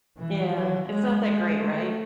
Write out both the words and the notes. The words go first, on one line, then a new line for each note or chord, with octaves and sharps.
Yeah. It's not that great, right?
E3
F#3
G#3
G#3
A3